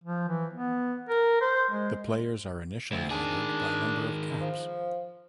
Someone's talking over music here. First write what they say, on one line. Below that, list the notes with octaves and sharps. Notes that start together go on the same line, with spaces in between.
The players are initially ordered by number of caps.
F3
E3
B3
A#4
C5
G#3
D2 C4
D#3 D4 G#4
F3